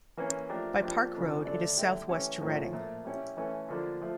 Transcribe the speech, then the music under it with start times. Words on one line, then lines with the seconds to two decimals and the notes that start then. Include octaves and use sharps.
By Park Road it is southwest to Reading.
0.17 E3 A#3 C#4
0.49 F3 A3 D4 G4 A#4
0.82 F3 A#3 D4 G4
1.13 C#3 F3 A#3 D4 A4
1.45 D3 A3 D4 A4 D5
1.77 D3 A3 E4 G4
2.09 E3 A3 C#4 G4
2.41 A2 F3 A#3 C#4
2.73 A#2 F3 A3
3.05 G3 C#4 E4
3.37 E3 A3 C#4
3.69 D3 F3 A#3 D4
4.01 F3 A3